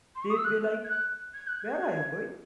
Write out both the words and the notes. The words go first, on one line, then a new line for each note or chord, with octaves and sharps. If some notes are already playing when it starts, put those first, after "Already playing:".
They'd be like, 'Where are you going?
C6
C#6
D#6
E6
F#6
G#6
F#6
G#6
F#6
G#6